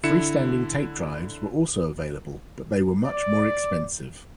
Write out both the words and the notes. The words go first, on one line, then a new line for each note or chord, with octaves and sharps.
Free-standing tape drives were also available, but they were much more expensive.
D3 E4 C#7 E7
D5